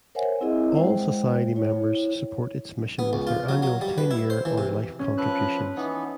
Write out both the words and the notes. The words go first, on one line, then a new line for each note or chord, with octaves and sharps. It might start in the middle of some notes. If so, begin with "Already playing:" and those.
All society members support its mission with their annual, ten-year or life contributions.
A#4 C5 C#5 E5 F#5 G#5
C4 E4 G#4 D#5 E5
G#3 C5 G5
E4 C#5
B3
C#2
F4
F#3
F#3
G3
B4
E4
C5
E3
C3
C#4
F3 B4 E6 F#6
E3 B3 D#4